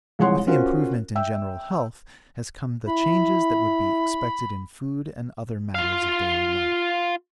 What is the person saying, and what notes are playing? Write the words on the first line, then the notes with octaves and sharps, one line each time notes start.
With the improvement in general health, has come the changes that would be expected in food and other matters of daily life.
C2 F3 G#3 C#5 F#5 C6
C#4 F4 F#4 A#4 C5
E5 G5 E6
E4 B5
F4 F5